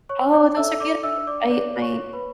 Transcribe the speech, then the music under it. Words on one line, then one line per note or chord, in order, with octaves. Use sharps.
Oh, those are beautiful. I My
C#5 C#6
D5 D6
A4 E5 E6
D5 D6
D4 E5 E6
D5 D6
C#5 D5 D6
C#5 C#6
C#5
B4 B5